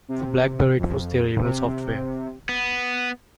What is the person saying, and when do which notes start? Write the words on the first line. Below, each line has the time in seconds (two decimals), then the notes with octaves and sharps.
For Blackberry it was their email software.
0.08 C3
0.79 F2
1.42 C3
2.49 B3